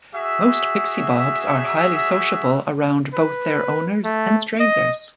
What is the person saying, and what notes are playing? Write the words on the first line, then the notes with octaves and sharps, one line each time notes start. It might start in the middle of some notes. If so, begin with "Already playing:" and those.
Most Pixie-bobs are highly sociable around both their owners and strangers.
F#4 G#4 E5
B4
A3
D#5